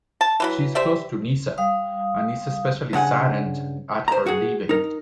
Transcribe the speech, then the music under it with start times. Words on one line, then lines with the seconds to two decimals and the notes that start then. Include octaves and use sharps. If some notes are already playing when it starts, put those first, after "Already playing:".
She is close to Nyssa, and is especially saddened at her leaving.
0.21 A5
0.40 E3 F#3 E4
0.75 G4 C5 D5 E5
1.58 G3 F5 D#6
2.93 G2 C#3 F#5 G#5
4.08 C5 A#5
4.26 F#4 G#4
4.69 D#4 A#4